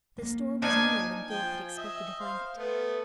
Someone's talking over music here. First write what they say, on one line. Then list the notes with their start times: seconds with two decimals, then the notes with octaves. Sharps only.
The store was nearer than Philip had expected to find it.
0.18 A#3
0.62 F3 D4 D#4 G#5
1.30 F3 G5 G#5
1.77 D#5 E5
2.20 C5 F5
2.56 A3 B3